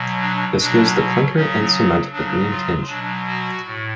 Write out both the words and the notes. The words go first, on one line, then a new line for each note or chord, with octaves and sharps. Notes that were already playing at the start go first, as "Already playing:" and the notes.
This gives the clinker and cement a green tinge.
Already playing: B2 F#3
D4
B2 F#3 D4
C#3 F#3 C#4
C#3 F#3 D4
F4
B2 F#3 D4
F#4
A2